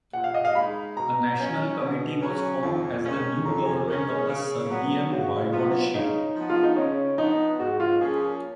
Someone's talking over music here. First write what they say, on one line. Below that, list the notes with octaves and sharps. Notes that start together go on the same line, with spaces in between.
A National committee was formed as the new government of the "Serbian Voivodship".
A#2 F#5
F5
D#5
F5
G#3 D#4 B5
B2 A#5
F#3 C#4
B2
F#3 C#4
F2
D#3 G#3 C#4
F2 A#5
G#5
D#3 G#3 C#4 A#4
G#4
C#3
F#3 B3
C#3 F#4
F#3 B3 F4
C#3 D#4
F3 B3
F4
D#4
C#3 C#4
F3 B3 D#4
G#2 F#4
F4
F3 A#3 C#4 G#4